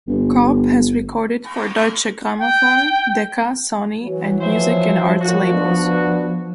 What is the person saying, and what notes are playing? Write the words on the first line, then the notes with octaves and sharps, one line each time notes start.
Cobb has recorded for Deutsche Grammophon, Decca, Sony, and Music and Arts labels.
G1
G5
E3 F#3
F3 C5 E5
A2 D#3 F#3 F#4
B3 D4